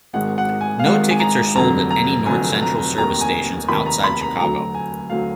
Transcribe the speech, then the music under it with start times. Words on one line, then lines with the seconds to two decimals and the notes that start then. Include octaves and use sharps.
No tickets are sold at any North Central Service stations outside Chicago.
0.13 G#1 G#2 D#3 G#3 F#5
0.38 F#5
0.61 G#5
0.79 F5
0.84 G#1 G#2 D#3 G#3 F#5
1.10 G#5
1.20 A#5
1.55 F1 F2 D3 F#3 A#5
1.91 A#5
2.26 F1 F2 D3 F#3 G#5
2.63 A#5
2.98 F1 D#2 D#3 A#5
3.21 G#5
3.68 F1 D#2 D#3 B5
3.86 A#5
4.04 B5
4.21 A#5
4.39 D2 D3 F#3 A#5
4.74 G#5
5.10 D2 D3 F#3 F5